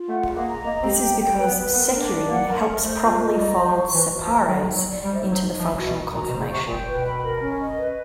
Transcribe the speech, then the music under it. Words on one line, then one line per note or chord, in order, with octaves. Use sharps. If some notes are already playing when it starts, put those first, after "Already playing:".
This is because securin helps properly fold separase into the functional conformation.
Already playing: F4
A3 F#5
G#4
A#3
A#5
A#3 D#5
C4 G4
G5
G5
B4
B3
B4
B3 A#4
D4
A#3
D5
A#3 F#5
A#4
A#3
A#4
A3 C5
F4
G#3
D#5
G3 A#5
C5
F3
C#6
E3 C5
F#4
F3
E5
F#3 A4
D#4
F#3
D5
G3 C5
D#4
F#3
D#4
F3 E5
F#4
B2
F#4
A#2 A#5
B2
C5
C#3
C3 C#6
A#2 G5
B4
B2
B5
A#4
C#4
D#5
B4